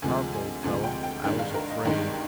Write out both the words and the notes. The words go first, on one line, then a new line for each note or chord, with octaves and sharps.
"Park, old fellow, I was afraid."
D2 C3 F3 G#3 G#5
G#5
D2 C3 F3 G#3 G#5
G5
G5
G#1 G2 D#3 G#3 G5
F5
A#4
D#5
G#1 G2 D#3 G#3 G5